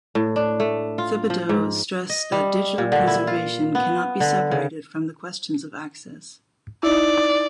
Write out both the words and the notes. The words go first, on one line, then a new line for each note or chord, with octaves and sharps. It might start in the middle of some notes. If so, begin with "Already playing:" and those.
Thibodeau stressed that digital preservation cannot be separated from the questions of access.
A2
D4
A3
F4
F3
G#2
D#5
G3
A#2
D3
E4
F4
B3
D3
C#3
D#4 E4 D5